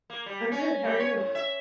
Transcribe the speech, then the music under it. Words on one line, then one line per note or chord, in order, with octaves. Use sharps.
I'm good, how are you?
A#3
G3
C#4
G3
C#5
A2
E5